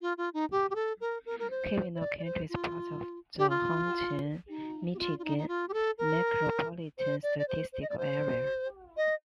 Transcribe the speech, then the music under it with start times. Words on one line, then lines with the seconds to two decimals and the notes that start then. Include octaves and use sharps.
Keweenaw County is part of the Houghton, Michigan, Micropolitan Statistical Area.
0.02 F4
0.18 F4
0.34 D#4
0.51 G4
0.70 G4
0.75 A4
1.01 A#4
1.26 A#4
1.39 A#4
1.50 C5
1.96 C5
2.00 D5
2.18 D5
2.24 C5
2.49 F4
3.38 G4
3.50 F4
4.49 D#4
4.94 G4
4.99 F4
5.19 F4
5.24 D#4
5.38 D#4
5.48 F4
5.69 G4
5.74 A4
5.98 A#4
6.98 C5
7.23 D5
7.39 D5
7.48 C5
7.73 C5
7.82 D#5
7.89 D5
7.98 C5
8.97 D#5